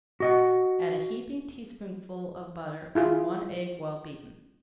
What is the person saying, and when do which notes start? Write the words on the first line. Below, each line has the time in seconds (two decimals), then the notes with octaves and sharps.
Add a heaping tablespoonful of butter and one egg well-beaten.
0.20 F#4 D#5 F#5
2.95 E4 F4 G#4